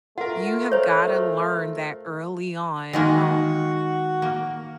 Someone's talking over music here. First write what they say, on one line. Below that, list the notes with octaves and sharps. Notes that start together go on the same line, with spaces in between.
you have gotta learn that early on, um,
A3 F4 A#4 F#5
C5 C#5
D#3 G#3 A#3 F#4
A#3